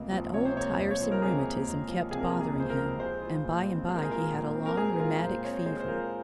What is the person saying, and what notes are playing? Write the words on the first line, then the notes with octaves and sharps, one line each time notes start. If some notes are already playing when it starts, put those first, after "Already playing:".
That old, tiresome rheumatism kept bothering him, and by and by he had a long rheumatic fever.
Already playing: C#2 C3 A#3
F3
C3 C#5
C5
A#3 C#5
C#2
C#5
F3 C5
A#4
C3 G#4
A#3
C#2
F3
C3 G#4
A#4
G#4
A#3
G#4
C#2 C5
A#4
F3
G#3 C5
F4
A#2
C4
G#3 C5
A#4
G#4
F4 A#4
A#2
C4
A#4
G#3 G#4
F4 A#4
A#2 C5
C4 C#5
G#3 C5
C5
F4 A#4